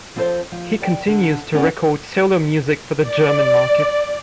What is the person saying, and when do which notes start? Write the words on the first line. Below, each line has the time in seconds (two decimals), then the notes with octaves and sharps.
He continues to record solo music for the German market.
0.16 F3 C4 A4 B4 C5
0.52 F3
0.80 G4 D5 F#5 G5
1.07 D3
1.53 B3 C#4 F4 A#4 D5
3.00 D5